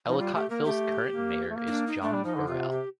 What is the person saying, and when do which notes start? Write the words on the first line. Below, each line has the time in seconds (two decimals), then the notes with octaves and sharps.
Ellicottville's current mayor is John Burrell.
0.08 F3 D#4
0.19 G3 F4
0.34 A3 G4
0.50 A#3 A#4
0.65 A3 G4
1.11 A#3
1.50 A3
1.56 A#3
1.67 D#4
1.71 D4
1.87 D#4
2.02 A3 D4
2.14 G3
2.24 F3 D#4
2.36 D3
2.47 C3 F4
2.71 G4